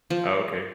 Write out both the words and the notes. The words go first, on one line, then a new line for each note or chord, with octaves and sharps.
Oh, okay.
F3